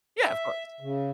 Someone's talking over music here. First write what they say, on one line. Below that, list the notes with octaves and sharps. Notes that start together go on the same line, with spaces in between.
Yeah, of course.
E5
C#3